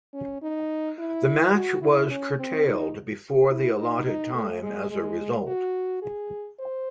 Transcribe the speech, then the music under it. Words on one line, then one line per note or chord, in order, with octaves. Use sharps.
The match was curtailed before the allotted time as a result.
C#4
D#4
E4
F#4
E4
C#4
C4
D#4
E4
D#4
D#4
A3
G#3
G#3
F#4
G#4
C5